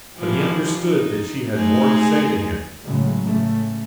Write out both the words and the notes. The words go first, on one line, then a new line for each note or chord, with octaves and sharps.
But he understood that she had more to say to him.
E3 F3 G3
D#4
G#3 A3 D#4 G#4
A2 C#3 F#3 G#3
A1 C#3 A3